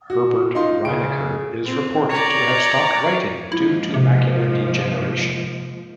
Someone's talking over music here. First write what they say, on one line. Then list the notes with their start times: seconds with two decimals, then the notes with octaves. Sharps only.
Herbert Reinecker is reported to have stopped writing due to macular degeneration.
0.10 F#4
0.55 D#4 F4 C6
0.85 C#3 D7
1.65 C4
2.09 C#5 D5 A#5
3.52 G#2 F3 A#3 E4
3.94 C3